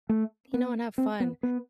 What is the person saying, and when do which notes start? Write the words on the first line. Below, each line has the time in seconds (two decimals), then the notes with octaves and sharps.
you know, and have fun."
0.09 A3
0.54 B3
0.98 C4
1.20 B3
1.43 B3